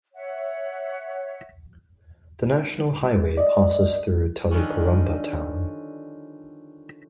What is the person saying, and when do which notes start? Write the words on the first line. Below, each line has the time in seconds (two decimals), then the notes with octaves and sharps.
The national highway passes through Taliparamba town.
0.14 C#5 E5 F#5
3.37 D5 D#5
4.51 D3 D#3 F3 G3 B3 C#4